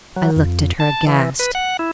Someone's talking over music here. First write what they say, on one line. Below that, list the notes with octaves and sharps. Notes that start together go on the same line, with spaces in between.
I looked at her, aghast.
F#3
F2
A5
E3
B4
F#5
E4